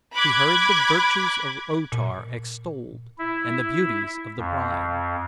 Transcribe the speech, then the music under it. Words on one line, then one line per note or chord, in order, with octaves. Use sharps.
She heard the virtues of O-Tar extolled and the beauties of the bride.
B5 D6 F#6 G#6
A#2
E4
F2